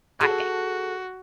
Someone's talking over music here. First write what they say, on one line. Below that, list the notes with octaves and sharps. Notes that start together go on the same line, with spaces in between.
I think.
F#4 G#4 A4